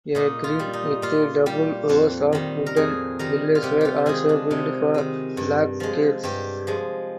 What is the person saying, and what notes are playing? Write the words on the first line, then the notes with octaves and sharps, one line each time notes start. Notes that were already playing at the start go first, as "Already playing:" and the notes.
A grid with double rows of wooden pillars were also built for blockades.
A#2 D#4
F4
G3
D#4
A#2 F4
G3 G4
F2
D#3 G3
A#4
F2 G#4
D#3 G3 A#4
F4
C3 G4
F4 G4
D#3 G#3 G#4
D4
C3 D#4
D#3 G#3
G2
F3 G#3
G2 G4
F3 G#3